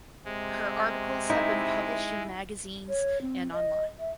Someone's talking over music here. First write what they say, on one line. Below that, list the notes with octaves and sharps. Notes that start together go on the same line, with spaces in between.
Her articles have been published in magazines and online.
C3 G#3
D#4 E4
C#5
C4
D#5
E5